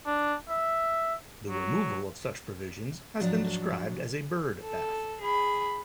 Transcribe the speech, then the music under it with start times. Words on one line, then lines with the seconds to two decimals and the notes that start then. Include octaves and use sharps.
The removal of such provisions has been described as a Byrd Bath.
0.06 D4
0.49 E5
1.49 F#3
3.20 G#2 F3 F#3 D4
4.65 A4
5.22 G#4 B5